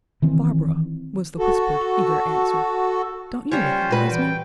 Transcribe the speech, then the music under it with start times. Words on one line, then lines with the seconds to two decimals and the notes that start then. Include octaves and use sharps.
"Barbara," was the whispered, eager answer, "don't you recognize me?"
0.22 D#3 E3 C4
1.39 F#4 A4
3.51 G3 C#4 F4 C5 C#5
3.91 A#2 F#4 B4
4.11 E3 G5